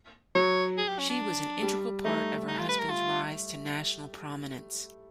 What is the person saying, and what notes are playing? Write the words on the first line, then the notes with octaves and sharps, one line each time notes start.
She was an integral part of her husband's rise to national prominence.
F#3 C#5
G#4
G4
C#4
D4
G3
A3 D#4
D#4
F4
B4
A#4
F4